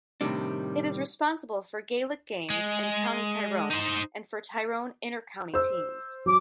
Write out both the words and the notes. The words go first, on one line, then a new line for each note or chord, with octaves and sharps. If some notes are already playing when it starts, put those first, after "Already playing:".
It is responsible for Gaelic games in County Tyrone and for Tyrone inter-county teams.
A2 C3 D#3 G3 D4
G#3
D#4 C5
C5 E6
F#3 D6